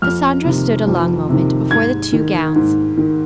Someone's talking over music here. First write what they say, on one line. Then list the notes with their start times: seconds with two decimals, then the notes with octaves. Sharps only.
Cassandra stood a long moment before the two gowns.
0.02 F2 F6
0.45 C3 D#3
0.87 F2
1.29 C3 D#3
1.71 G#2 G#6
2.13 D#3
2.56 G#2
2.97 D#3